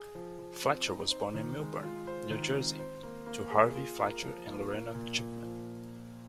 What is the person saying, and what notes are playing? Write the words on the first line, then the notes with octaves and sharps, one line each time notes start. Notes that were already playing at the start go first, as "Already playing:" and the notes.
Fletcher was born in Millburn, New Jersey to Harvey Fletcher and Lorena Chipman.
Already playing: G#4
F3
F3
C4
D#4
C5
D#3
G#3
F4
C5
D#3
C4
C5
A#3
A#3
G#4
F4
A#4
F3
A#3
A#3
A#2
A#2
F3